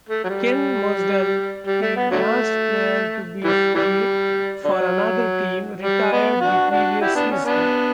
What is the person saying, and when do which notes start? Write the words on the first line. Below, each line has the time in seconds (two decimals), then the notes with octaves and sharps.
Ken Mosdell, the last player to play for another team, retired the previous season.
0.09 A3
0.24 F#3
0.29 G3
1.67 G3
1.82 A3
1.96 B3
2.11 D3 F#3 A3
3.45 E3 G3
3.75 E3 G3
4.64 D3 F#3
5.82 G3
6.12 B3
6.41 D4 F#4
6.71 D4 F#4
7.01 E4 G4
7.15 B3 D4
7.31 C#4
7.44 B3 D4